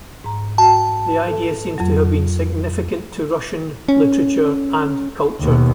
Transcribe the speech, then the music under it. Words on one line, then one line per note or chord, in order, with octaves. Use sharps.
The idea seems to have been significant to Russian literature and culture.
G#2 A#5
F#4 G5 A5
A4
F2 F#3
C#4
D#2 B2